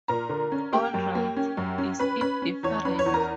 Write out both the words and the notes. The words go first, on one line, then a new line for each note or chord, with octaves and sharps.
All right, is it different?
A#2 A#4 A#5
D3
C#4
A#3 G4 G5
F#2
A#3
C#4
F#2
C#4
C#4 B4 B5
C#4 B4 B5
C#4
E2 C#5 C#6
C#4 B4 B5
C#5 C#6
E2
A#4 A#5